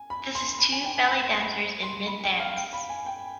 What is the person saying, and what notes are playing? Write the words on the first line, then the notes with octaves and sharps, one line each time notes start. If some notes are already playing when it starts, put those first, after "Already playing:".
This is two belly dancers in mid dance.
Already playing: G#5
B5
C6
B5
G#5
G5
G#5
B5
C6
B5
C6
B5
G5
F5
G5
B5
G#5
G5